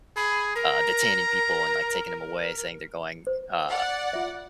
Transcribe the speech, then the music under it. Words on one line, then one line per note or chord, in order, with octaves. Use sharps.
uh, detaining people and, like, taking them away, saying they're going uh,
G#4 B5
A#4 A#5
C5
D5 F#5
F4 E5